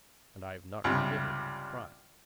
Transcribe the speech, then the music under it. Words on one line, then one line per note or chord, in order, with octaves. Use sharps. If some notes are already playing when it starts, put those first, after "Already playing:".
And I have not committed any crime.
C#2 G2 C3